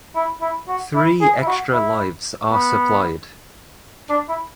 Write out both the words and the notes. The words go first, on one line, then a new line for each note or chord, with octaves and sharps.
Three extra lives are supplied.
E4
E4
F#4
E4
G#4
E4
F#4
E4
B3
D4
E4